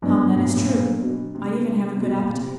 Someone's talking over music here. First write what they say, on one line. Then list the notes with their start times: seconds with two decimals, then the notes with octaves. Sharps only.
"Come, that is true; I even have a good appetite."
0.02 G#2 F#3 B3 D4
0.36 A2
0.46 A#2
0.57 A2
0.69 A#2
1.02 B2
1.35 C3
1.68 C3
1.97 C3
2.01 B2
2.18 A#2
2.35 C3